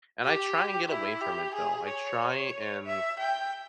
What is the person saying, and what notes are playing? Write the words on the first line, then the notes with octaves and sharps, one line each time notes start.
and I try and get away from it though, I try and
G4
E4
G4
G#4
C#5
E5
G5